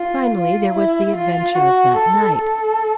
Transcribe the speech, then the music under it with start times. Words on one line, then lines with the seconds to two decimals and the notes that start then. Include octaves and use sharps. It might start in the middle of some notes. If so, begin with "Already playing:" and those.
Finally, there was the adventure of that night.
Already playing: F4
0.34 F4
0.75 E4
1.16 F4
1.55 F#4
1.96 A4
2.37 A4